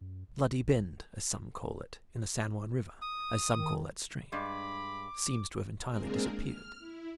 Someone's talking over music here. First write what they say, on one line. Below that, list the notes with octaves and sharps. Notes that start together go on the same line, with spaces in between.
The Bloody Bend, as some call it, in the San Juan River, as some call that stream, seems to have entirely disappeared.
F#2
D#1
A#1
D#6
D#3
G2 G#3 B5 D6
G#3 A#3 C4 D4 G#4 A#4
F6
E4